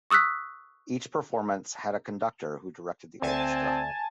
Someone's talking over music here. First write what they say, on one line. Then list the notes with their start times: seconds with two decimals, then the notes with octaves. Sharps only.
Each performance had a conductor who directed the orchestra.
0.10 C#6 D#6 E6 F#6 B6
3.22 D2 C4 G#5 A5